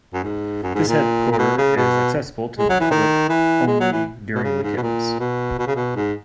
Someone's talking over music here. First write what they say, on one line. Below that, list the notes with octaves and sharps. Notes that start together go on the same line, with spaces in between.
This headquarter is accessible to public only during weekends.
F#2
G#2
F#2
G#2
A#2
A#2
B2
C#3
B2
G#3
F#3
E3
D#3
E3
G#3
F#3
E3
B2
C#3
G#2
B2
A#2
B2
B2
C#3
B2
G#2